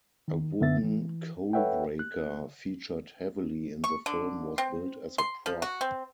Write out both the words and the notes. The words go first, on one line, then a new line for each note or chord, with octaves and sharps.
A wooden coal breaker featured heavily in the film was built as a prop.
D#3
F#2 D3 B3 E5 A6
E3
A4 B4 C#5 E5 F#5 G5
F#6
C#6
D3
C4
C6
F3
F#4
C4